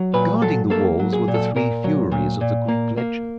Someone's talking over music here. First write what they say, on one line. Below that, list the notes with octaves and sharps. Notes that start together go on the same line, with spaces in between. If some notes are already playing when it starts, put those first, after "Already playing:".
Guarding the walls were the three Furies of the Greek legends.
Already playing: F#3
A#2 B4
F#3 A4
A#3 A4
F#3
G#4
A#2
A4
A#2 A#4
F#3
A#2
A#2
A#3
A#3